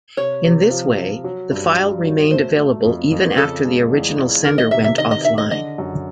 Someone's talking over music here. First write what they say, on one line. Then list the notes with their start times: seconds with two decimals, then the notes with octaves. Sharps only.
In this way, the file remained available even after the original sender went offline.
0.17 C3 C#5
0.44 C3
0.70 F3
0.98 F3
1.24 F#3
1.51 G2
1.78 G2
2.04 F#3
2.31 A3 C5
2.58 A3
2.84 F2
3.11 F2
3.37 C#3 A4
3.65 G#3
3.91 E2
4.18 E2
4.44 D#3 A#4
4.58 D#5
4.71 C3 E5
4.84 E5
4.98 D#3 D#5
5.11 D#5
5.25 D#3 E5
5.38 D#5
5.51 D3 D#5
5.78 F#2